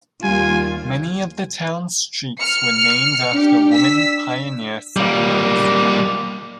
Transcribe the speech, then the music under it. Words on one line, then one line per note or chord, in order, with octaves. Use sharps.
Many of the town's streets were named after women pioneer settlers.
D#2 G3 F4 G#5
F6 C#7
D4 G4
E6 B6
G3 A#3